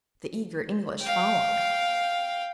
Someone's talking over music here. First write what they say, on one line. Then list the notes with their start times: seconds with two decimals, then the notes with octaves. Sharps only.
The eager English followed.
1.02 F5 G5